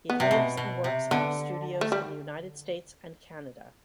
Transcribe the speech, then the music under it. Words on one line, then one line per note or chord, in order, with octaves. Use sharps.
He lives and works out of studios in the United States and Canada.
B3
C3
B2
B2
C3
D3 B3
A3
G3